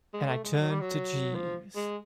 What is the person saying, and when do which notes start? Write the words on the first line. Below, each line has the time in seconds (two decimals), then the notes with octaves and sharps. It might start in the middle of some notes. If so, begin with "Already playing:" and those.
And I turned to Jeeves.
0.14 G#3
0.29 A3
0.44 G#3
0.60 F#3
0.70 G3
0.81 F#3
1.35 F3
1.76 G#3